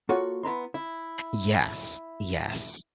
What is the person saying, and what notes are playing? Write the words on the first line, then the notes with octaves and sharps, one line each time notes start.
Yes, yes.
A#3 F4 F#4 A4 C#5 F#5
B3 E4 A#5 C6
E4